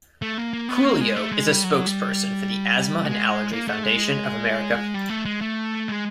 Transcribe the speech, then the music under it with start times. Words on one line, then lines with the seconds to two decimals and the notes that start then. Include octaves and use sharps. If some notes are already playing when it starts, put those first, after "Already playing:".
Coolio is a spokesperson for the Asthma and Allergy Foundation of America.
0.22 A3
0.38 A#3
0.53 A#3
0.69 B3
0.85 A#3
1.01 G#3
1.16 A3
1.32 G#3
1.48 G3
1.64 F#3
1.87 G3
3.05 G#3
3.52 A#3
3.68 A3
3.83 G#3
4.94 G3
5.09 A3
5.25 G#3
5.41 A3
5.88 G#3